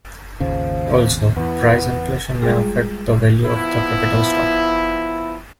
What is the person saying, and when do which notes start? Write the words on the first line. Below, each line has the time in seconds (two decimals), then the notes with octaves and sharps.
Also, price inflation may affect the value of the capital stock.
0.40 G#1 D#2 C#3 F3
1.36 E2 E3 B3
2.42 G3 G#3 F4 G#4
3.46 F3 B3 E4